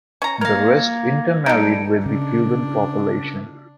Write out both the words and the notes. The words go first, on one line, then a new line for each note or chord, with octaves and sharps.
The rest intermarried with the Cuban population.
C#4 A#5 C#7
A#3 A#4 F5 G#6 A#6
G3 D#4 A4 C#7 D7
C#3 D4